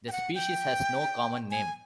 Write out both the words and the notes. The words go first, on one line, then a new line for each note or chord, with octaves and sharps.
The species has no common name.
G5
F#5
G5
G#5